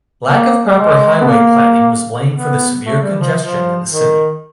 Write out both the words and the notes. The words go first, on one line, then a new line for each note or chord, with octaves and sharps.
Lack of proper highway planning was blamed for the severe congestion in the city.
A#3
G3
G#3
B3
A#3
B3
A3
G3
F3
F3
D#3